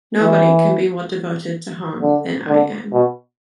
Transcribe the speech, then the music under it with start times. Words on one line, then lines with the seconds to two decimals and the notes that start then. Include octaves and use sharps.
Nobody can be more devoted to home than I am.
0.20 E3
2.02 D3
2.48 D3
2.93 B2